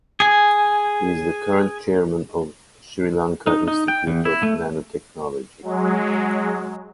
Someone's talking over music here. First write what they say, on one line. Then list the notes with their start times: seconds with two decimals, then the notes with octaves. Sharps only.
He is the current chairman of Sri Lanka Institute of Nanotechnology.
0.20 G#4 G#5
3.47 D#4
3.68 D#4
3.88 G5
4.07 E2
4.25 E4
4.43 A3
5.62 F#3 G#3